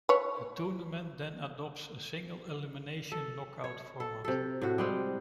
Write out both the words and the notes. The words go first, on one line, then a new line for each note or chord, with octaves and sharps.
The tournament then adopts a single-elimination knockout format.
B4 C#5
A4
C#5
A4
C3 A4
A2 F#4
G3 G#3 C4